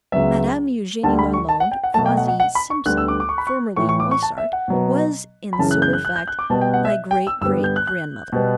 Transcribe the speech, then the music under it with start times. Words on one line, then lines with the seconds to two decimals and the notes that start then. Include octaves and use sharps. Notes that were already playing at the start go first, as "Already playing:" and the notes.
Madame Eugenie Lalande, quasi Simpson--formerly Moissart--was, in sober fact, my great, great, grandmother.
0.12 C#2 C#3 F#3 B3 E5
1.03 D2 D3 G3 A5
1.19 B5
1.34 C#6
1.49 A5
1.60 F#5
1.71 G5
1.84 F#5
1.94 B2 F#3 A3 A5
2.06 G5
2.17 F#5
2.28 F#5
2.40 F#5
2.55 B5
2.70 C#6
2.86 D2 D3 G3 B3 F#6
2.97 E6
3.08 D6
3.20 D6
3.29 C#6
3.38 B5
3.47 C#6
3.76 A2 E3 A3 C#6
3.89 C#6
4.00 D6
4.11 C#6
4.23 A5
4.38 E5
4.53 F#5
4.68 B2 F#3 B3
5.53 B5
5.59 F#2 C#3 E3 A5
5.71 F#6
5.82 G6
5.93 F#6
6.05 F#6
6.16 G6
6.28 F#6
6.39 D6
6.50 B2 G3 B3 A5
6.61 G5
6.74 F#5
6.85 E5
7.11 G5
7.27 E6
7.41 G2 D3 G3 B3 E6
7.64 G6
7.76 F#6
7.87 F#6
8.32 B2 G3 B3